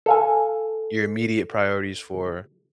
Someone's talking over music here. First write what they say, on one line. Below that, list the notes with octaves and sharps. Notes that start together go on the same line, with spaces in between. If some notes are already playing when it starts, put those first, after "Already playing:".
Your immediate priorities for,
A4 F5 G#5